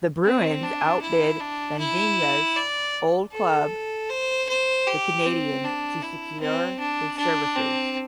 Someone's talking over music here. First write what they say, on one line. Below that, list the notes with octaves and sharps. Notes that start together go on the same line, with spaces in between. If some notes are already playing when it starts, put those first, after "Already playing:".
The Bruins outbid Vadnais' old club, the Canadiens, to secure his services.
C4
D4
E4
D4
E4
D5
A4
C5
C5
G4
C4
D4
E4
C4
D4
D4
C4